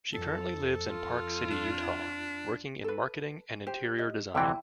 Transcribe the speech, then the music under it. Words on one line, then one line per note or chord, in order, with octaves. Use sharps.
She currently lives in Park City, Utah, working in marketing and interior design.
F2 A4
F2 F4
D4
A4 B4
G4 C5
D#5
D2 C3 E3 E4 G5